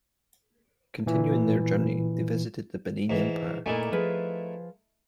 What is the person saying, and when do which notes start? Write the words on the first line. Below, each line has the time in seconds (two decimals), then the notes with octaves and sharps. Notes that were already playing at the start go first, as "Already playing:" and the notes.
Continuing their journey, they visited the Benin Empire.
1.06 A#2 E3
3.10 G#2 E3
3.66 A#2 A3 D#4 E4 D5 G#5
3.92 F3 G#4 B4